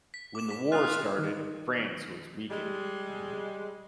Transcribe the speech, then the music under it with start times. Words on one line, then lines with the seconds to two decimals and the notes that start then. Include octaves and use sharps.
When the war started, France was weakened.
0.14 B6
0.35 D6 E7
0.50 B6
0.72 F4 D#6 F#6
1.18 D#3
2.49 G3 G#3